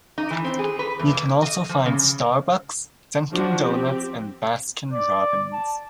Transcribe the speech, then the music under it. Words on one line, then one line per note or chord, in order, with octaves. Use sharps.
You can also find Starbucks, Dunkin' Donuts, and Baskin Robbins.
D#4
E3
C4
G#4
B4
E2
A#3
D#5
F3
C#3
F3 D4 F4 F#4
C4 G4
D5
A5